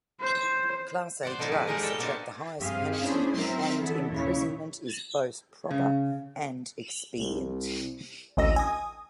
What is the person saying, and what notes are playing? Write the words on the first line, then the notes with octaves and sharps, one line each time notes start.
Class A drugs attract the highest penalty, and imprisonment is both "proper and expedient".
C5
C5 D5 F#5
B2 D3 F3 D#4 E4 A5
G#4 B4 D5
G#3 D#4 G4 G#4 A#4
G3 A4 C#5
B2 A#3 D4 D#4 C5 D5
G2 C4 G4 G#4 F5
C#4 D4 E4 G#4 C5
F#3 C4 A#4 E5
D3 E3 B3 E4 A4
D#2 A#2 C#3 E4 C#5
C#3
C2
A1 D2 D#5 E6 A#6
G#5 D#6